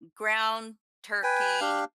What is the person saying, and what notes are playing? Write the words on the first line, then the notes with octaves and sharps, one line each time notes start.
m ground turkey,
B4 G5 G#5
D4 G4 F5